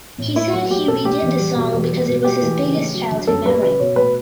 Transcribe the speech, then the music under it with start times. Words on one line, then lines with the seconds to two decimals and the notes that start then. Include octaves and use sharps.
He said he redid the song because it was his biggest childhood memory.
0.18 A2
0.36 A3 E4
0.53 F#3 F#4
0.70 A3 G4
0.88 B2 A4
1.04 A3 G4
1.22 E2
1.39 G3
1.56 B2
1.73 E2
1.91 G3
2.08 B2
2.24 A3 G4
2.42 E3
2.59 C#3
2.76 A3
2.93 F#3
3.11 D3
3.27 F#2 A4
3.45 G3 B4
3.62 C#3 B4
3.80 B2 C#5
3.96 A3 B4